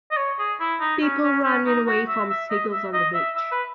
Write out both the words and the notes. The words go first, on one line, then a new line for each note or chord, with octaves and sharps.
People running away from seagulls on the beach.
D#5
C#5
G#4
E4
D#4
C#4
C#4
C#4
D#4
F#4
E5
E5
D#5
E5
D#5
E5
E5
B4